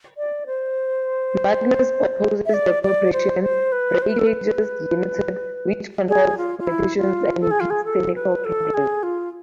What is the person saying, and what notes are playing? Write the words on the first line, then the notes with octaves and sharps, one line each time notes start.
Magnus opposes the corporation "Breakages, Limited", which controls politicians and impedes technical progress.
D5
C5
E5
D5
D5
C5
C5
B4
C5
B4
A4
B4
G#4
F4
F4
E4
F4
A4
G#4
F4
G#4
A4
B4
A4
G#4
F4